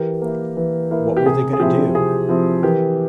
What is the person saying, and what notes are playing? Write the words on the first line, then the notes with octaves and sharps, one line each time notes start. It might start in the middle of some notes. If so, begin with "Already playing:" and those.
What were they going to do?
Already playing: E3 G4 A#4
A#3 E4
E3
A#3 E4
G4
C3 G#4
G#4
F3 C4 E4 G4
C3 G#4
F3 C4 E4
E3 G4 A#4